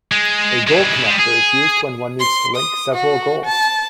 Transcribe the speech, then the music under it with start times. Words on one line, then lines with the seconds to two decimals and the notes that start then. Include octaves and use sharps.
A goal connector is used when one need to link several goals.
0.12 G#3
0.67 G#3 E4
1.06 G3 G#3
1.19 G#4
2.19 C6
2.56 D#6
2.94 F#4
3.45 A5